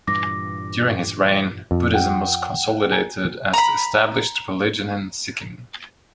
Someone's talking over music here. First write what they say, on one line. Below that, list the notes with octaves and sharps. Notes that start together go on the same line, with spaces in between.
During his reign Buddhism was consolidated as the established religion in Sikkim.
G2 A#2 E3 D6 A#6
F2
F#5 G5
G#5 A#5
A#5 B5